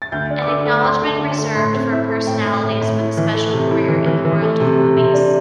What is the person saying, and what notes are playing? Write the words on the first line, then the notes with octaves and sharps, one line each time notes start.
An acknowledgement reserved for personalities with a special career in the world of movies.
A6
D2 G6
D4
D6
D3 E6
A3
D2 C6
D3
A5
D3
A5
A3
A2 C6
C4
E4 E5
A3
A2 G5
A2
A2
A2
E4
E3
A3
C3
E4
E3
E3
E3
A3
C3
C3
C3
D4